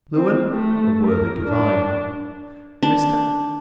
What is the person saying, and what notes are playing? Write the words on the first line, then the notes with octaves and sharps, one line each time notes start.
LEWEN, a worthy divine. MR.
C4
A3
A#4
D4
D4